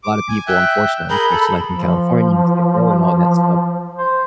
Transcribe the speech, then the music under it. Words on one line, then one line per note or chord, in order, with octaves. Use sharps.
A lotta people, unfortunately, especially, like, in California, and Skid Row and all that stuff,
D6
G#5
E5 G5 F#6
G#4 A#4 B5 G6
A4
F3
C5